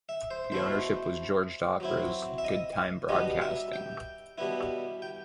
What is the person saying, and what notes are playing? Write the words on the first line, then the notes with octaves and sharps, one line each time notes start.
The ownership was George Dacre's "Goodtime Broadcasting".
E5
C5
B2 A3 E4 C5
F#3 C4 E4
E5
D#5
B2 G3 B3 D#4 D#5
E5
G5
B2 G3 B3 E4
G5